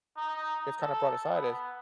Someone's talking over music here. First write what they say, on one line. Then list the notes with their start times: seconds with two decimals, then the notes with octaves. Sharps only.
it's kinda brought aside is
0.17 D#4
0.81 A4
1.33 B3